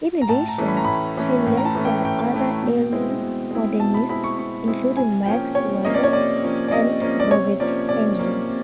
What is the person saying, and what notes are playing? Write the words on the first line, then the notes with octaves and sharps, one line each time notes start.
In addition, she learned from other early modernists including Max Weber and Robert Henri.
A#5
A2 A5
A#5
E3 A3 C#4
B5
A#5
A2 B5
E3 A3 C#4
A2
A#5
A5
E3 A3 C#4
G5
A2 G5
E3 A3 C#4
B2
G#3 C4 E4
B2
G#3 C4 E4
B2 A5
B5
G#3 C4 E4 B5
C#6
B2 C#6
G#3 C4 E4
C3 G#5
F3 A#3 C#4 G5
C3 C#5
F3 A#3 C#4 D#5
D5
C#5
C3 D5
F3 A#3 C#4
D5
C3 D#5
F3 A#3 C#4
D5
C3 C#5
F3 A#3 C#4 D5
C3 D5
F3 A#3 C#4
C3